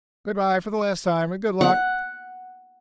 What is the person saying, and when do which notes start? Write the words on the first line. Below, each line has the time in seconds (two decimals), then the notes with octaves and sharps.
"Good-by for the last time, and good luck."
1.61 F#5